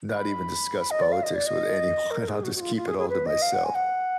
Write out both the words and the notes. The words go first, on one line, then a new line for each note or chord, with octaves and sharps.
not even discuss politics with anyone. I'll just keep it all to myself.
B5
B5
D#5
D5
F5
D#5
D5
D#5
A#4
G#4
F#4
F#4
F4
F4
G#4
G#4
B4
D#5
F5
F#5
G#5
F#5